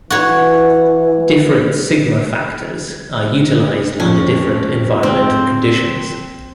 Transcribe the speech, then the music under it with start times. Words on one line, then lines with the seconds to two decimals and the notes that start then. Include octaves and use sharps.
Different sigma factors are utilized under different environmental conditions.
0.10 E3 F#4 C#5
4.00 F2 F3 C#4
5.03 C4